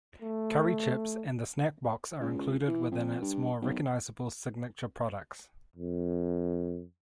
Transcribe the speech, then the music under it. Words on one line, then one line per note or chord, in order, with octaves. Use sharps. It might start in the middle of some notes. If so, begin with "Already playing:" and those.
Curry Chips and The Snack Box are included within its more recognisable signature products.
A3
C#2
E3
F2
G2
B1
F2